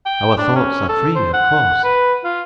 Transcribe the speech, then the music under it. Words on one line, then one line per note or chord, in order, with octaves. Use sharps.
'Our thoughts are free, of course.
G5
D4
C#4
A4
C5
F#5
B4
F4